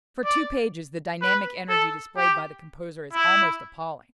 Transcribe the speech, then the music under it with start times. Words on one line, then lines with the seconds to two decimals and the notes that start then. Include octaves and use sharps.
For two pages the dynamic energy displayed by the composer is almost appalling.
0.25 D5
1.21 B4
1.69 A4
2.17 G4
3.13 E4